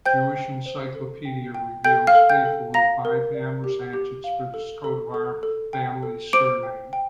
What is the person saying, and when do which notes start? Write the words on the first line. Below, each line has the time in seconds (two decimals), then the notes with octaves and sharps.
Jewish Encyclopedia reveals faithfully five hammers hatchets for this Coat of Arm family's surname.
0.06 C5 G5 G6
0.36 G5
0.66 C5
0.95 A4
1.25 G5
1.55 G5
1.84 A4 G5 G6
2.07 F5 F6
2.15 A4
2.29 G5 G6
2.45 A4
2.74 F5 A#5 A#6
3.05 A#4
3.34 D5
3.64 G4
3.93 G4
4.24 F5
4.54 A4
4.84 A4
5.14 A4
5.43 A4
5.73 G5
6.03 A4
6.33 C5 D6 D7
6.63 G5
6.93 G5